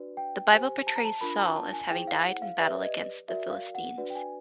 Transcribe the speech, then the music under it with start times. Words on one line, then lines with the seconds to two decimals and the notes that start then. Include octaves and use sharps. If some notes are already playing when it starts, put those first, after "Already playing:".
The Bible portrays Saul as having died in battle against the Philistines.
Already playing: D4 F#4 B4 D5
0.17 G5
0.52 G4 C5 G#5
0.87 A5
0.96 A#5
1.05 A5
1.21 D4 F4 A#4 B5
1.39 A#5
1.56 A5
1.73 G#5
1.91 E4 G#4 C5 G5
2.07 F5
2.25 F#5
2.42 F5
2.60 G4 B4 D5 E5
2.82 D#5
3.28 F#4 A#4 D5 E5
3.51 F5
3.75 F#5
3.98 D4 F#4 B4 D5
4.10 G5
4.15 G#5